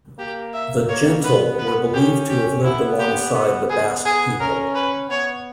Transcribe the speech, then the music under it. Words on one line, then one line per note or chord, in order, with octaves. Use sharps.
The "jentil" were believed to have lived alongside the Basque people.
A#3 G4
E5
A#3 C#5
B3 B4
B4
C#4 G4
G4
B3 E4
G4
B3
B3 G#4
G#4
C#4 A#4
B4
B3 C#5